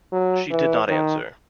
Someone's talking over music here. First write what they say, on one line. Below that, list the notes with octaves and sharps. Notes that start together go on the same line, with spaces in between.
She did not answer.
F#3
E3
D#3